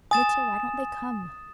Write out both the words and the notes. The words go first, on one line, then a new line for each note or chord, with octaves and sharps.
Mitya, why don't they come?
G#5 D#6 A6 E7